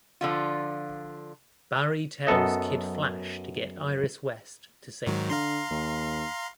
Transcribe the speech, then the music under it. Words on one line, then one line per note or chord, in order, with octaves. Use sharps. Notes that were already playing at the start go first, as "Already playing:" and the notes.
Barry tells Kid Flash to get Iris West to safety.
D3 F3 F4
F#2 B3 A4 D#5
G#2 D#3 F#3
D3 F5 A#5 C6
D#2